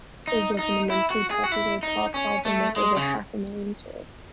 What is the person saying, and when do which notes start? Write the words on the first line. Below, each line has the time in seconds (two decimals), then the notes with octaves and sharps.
It was an immensely popular pop album with over half a million sold.
0.28 D#4
0.59 D#4
0.90 E4
1.11 F#4
1.31 G#4
1.44 F#4
1.52 E4
1.83 D#4
2.14 C#4
2.45 A3
2.76 G#3
2.96 C#3